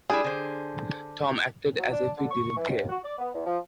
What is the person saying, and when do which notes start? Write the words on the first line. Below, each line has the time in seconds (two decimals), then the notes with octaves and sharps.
Tom acted as if he didn't care.
0.10 G3 D4 E4 G#4
0.24 D3 C5
1.79 F#3
1.92 D4
2.17 D3
2.31 C#6
2.57 E3
2.69 D#2
2.89 F#4
3.04 D5
3.19 B3
3.34 E2
3.46 F3